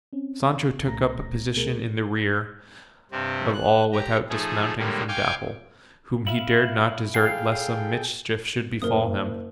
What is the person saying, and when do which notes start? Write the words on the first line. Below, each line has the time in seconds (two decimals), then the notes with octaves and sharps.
Sancho took up a position in the rear of all without dismounting from Dapple, whom he dared not desert lest some mischief should befall him.
0.13 C4 C#4
0.87 C2 A#2 A3 A#5 A#6
1.56 C#2 B2 A3 B3 G#4 A#4
3.11 G2 C3 C4
3.54 F#6
3.93 G4 A#5
4.29 F3 A3 D#4 G#4
4.78 A2 D3 G3 G#3 A#3
5.08 F5 G5 G#5 C#6 D6
6.27 E4 E5 F5 F#7
7.14 G#4 A4 F5 G5 C7
8.82 F#1 A#4 D#6